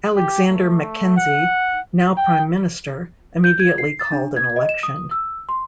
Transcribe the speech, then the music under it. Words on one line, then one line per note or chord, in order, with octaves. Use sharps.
Alexander Mackenzie, now Prime Minister, immediately called an election.
G4
A3
F#5
G5
G6
G#6
C7
A6
D4
G#6
D#5
E7
D#6
E6
C6